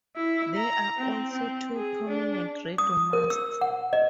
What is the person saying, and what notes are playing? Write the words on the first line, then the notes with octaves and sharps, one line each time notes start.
There are also two prominent radio masts.
E4
A#5
C4
C4
G#4
D4
D#6
A#4
E6
F#5
D#5